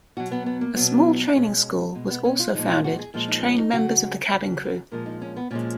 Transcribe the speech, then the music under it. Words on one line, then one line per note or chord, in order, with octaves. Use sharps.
A small training school was also founded to train members of the cabin crew.
B2 F#3 F#4
B3
B3
A#3
B2 F#3 B3
B2 G#3 C#4
B2 G#3
B3
C#4
F4
A#2 F3 G#3 D#4
F4
F#4
G#4
A#2 F3 G#3
D#4
C#4
D#4
C#3 F#3 F#4
C#3 F#3
A#2 F3 G#3 A#4
D#4
C#4
B3
A#2 F3 G#3 C#4